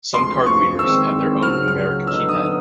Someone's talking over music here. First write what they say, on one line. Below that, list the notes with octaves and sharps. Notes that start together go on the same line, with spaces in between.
Some card readers have their own numeric keypad.
D2 C3 F3 G#3 C6
C#6
D#3 G#3 C4 E6
C#2 C#3 F#3 F6
F6
D3 F#3 B3 D#4 E6
D#6